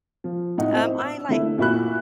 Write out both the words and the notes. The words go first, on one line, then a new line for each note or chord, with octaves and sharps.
Um, I like
F3
A2 D#4 F#5
C4 D#4 E4
E6
D3 A3 E4
A#2 E4 F#4 B5 F#6